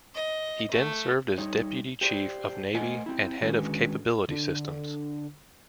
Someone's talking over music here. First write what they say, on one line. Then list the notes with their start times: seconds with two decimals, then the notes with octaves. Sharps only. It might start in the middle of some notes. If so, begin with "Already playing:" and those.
He then served as Deputy Chief of Navy and Head of Capability Systems.
0.15 D#5
0.72 A3
1.38 G3 D#4 C#5
2.01 G4 C5 D5
2.74 A3 A#4 C5 D#5 F#5 G#5
3.06 C4 E4
3.41 D3 D#3 G#3 C#4 F#4 B4
4.28 D3